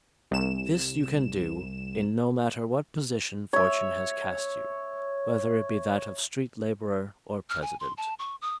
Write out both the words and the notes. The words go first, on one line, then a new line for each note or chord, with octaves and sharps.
This you can do in no matter what position fortune has cast you, whether it be that of street laborer or president.
C2 E7
C#5 E5
F6
G#5
C6
A5
C#6
D#6